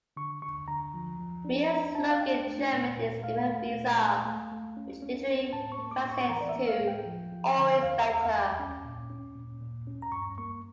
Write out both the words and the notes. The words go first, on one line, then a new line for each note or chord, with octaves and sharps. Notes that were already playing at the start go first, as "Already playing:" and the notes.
Miele's slogan in German is "immer besser" which literally translates to "always better".
D3 C#6
D3 C#6
D3 A#5
F3
F3
D4
D4 A#5
D4 A5
F5
D4 G5
A3
A#2
A#2
A3 F5
A3
A#2
A3
A3
A3
C#4
C#4
C#4
A2 A5
C#6
A#3
D6
A2
C#6
C#6
E3 A#5
D5
E5
A#3
F5
A2
G5
F3
F3
D3
E2 F5
E5
E2
F5
E2
D6
C#4
A#2
C#4
A#2
A#2
C#4
A#5
G2 C#6
A#3 C#6